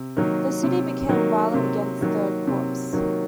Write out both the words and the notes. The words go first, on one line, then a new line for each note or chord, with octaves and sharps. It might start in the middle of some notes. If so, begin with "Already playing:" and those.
The city became violent against the Copts.
Already playing: C3
D#3 F#3 A#3
C3
D#3 F#3 A#3
C3
D#3 F#3 A#3
C3
D#3 F#3 A#3